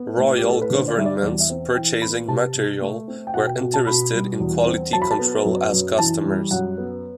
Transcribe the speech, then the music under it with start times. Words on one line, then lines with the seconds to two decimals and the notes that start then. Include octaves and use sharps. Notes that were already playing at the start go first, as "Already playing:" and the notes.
Royal governments purchasing material were interested in quality control as customers.
Already playing: B3
0.17 A2
0.37 G4
0.44 A2
0.49 A4
0.62 B4
0.70 D3 C5
0.88 D5
0.96 G3 E5
1.05 D5
1.23 E2 D5
1.40 E5
1.50 C4
1.75 E3 G5
2.02 B3 B5
2.28 C3 A5
2.55 C3
2.81 A3
3.08 C4
3.27 G5
3.34 B2 F#5
3.47 G5
3.61 B2
3.74 A5
3.87 B2 B5
4.13 G3
4.40 E2
4.66 C4
4.92 F#3 A5
5.02 B5
5.11 A5
5.19 B3
5.45 F#2
5.72 F#2
5.98 E3 A5
6.24 G3
6.51 F#2 F#5
6.78 B3